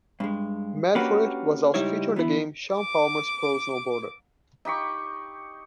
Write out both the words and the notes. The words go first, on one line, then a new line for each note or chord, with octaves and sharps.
"Mad For It" was also featured in the game "Shaun Palmer's Pro Snowboarder".
G2 G#3
A#3 C#4 D4 F#4 G4 B4
C#2 G3 D#4 E4 C#5
E3 B3 E4
D6
D#4 G4 B5 C#6